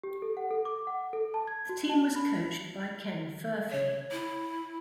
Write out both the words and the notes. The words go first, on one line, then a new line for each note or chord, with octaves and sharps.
The team was coached by Ken Furphy.
G4
A4
F#5
A4
D6
F#5
A4
A5
G#6
F#4
A5
B5
C#5
E4